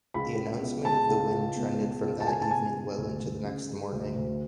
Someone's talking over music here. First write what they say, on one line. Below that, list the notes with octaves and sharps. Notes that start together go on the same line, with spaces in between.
The announcement of the win trended from that evening well into the next morning.
C#2 B5
C#2
B2
G#3 A5
C#2
C#2
B2
G#3
C#2
A5
C#2 G#5
A5
B2 G#5
G#3
D2
D2
C#3
G#3
D2
D2